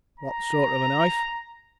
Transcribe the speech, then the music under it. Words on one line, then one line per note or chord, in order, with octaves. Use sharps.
"What sort of a knife?"
A#5